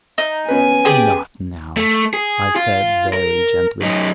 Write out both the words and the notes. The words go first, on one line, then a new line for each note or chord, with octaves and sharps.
"Not now," I said very gently.
D#4
B3 C#4 B4 G#5
G4 G#4 D5
A3
G#4
F4
A#4
F#2 D#4